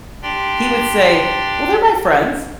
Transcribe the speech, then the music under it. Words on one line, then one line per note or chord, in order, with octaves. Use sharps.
He would say, "Well, they're my friends."
D4 G4 D5 G5 C6